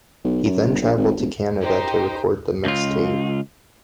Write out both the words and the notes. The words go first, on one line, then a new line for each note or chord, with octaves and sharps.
He then traveled to Canada to record the mixtape.
B1
F#2
G1
A#1
G#1
E1
D#4 G4 C5 G5
C#2 F4